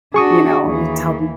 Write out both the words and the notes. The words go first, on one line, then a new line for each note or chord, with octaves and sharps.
you know, you tell them
D4 F#4 G#4 C#6 D#6
D#2 E3